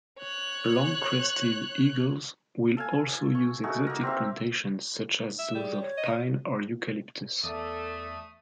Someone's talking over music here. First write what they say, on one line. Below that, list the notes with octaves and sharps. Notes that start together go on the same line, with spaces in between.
Long-crested eagles will also use exotic plantations such as those of pine or eucalyptus.
C#5 F#6
A4 F5 G#5
C#6
A3 D#4 F#4 G#4
A#3 A#4
C4 G4 E5
E5
G3 G#4
C#5
D#5
E2 A3 A4 D5 D#6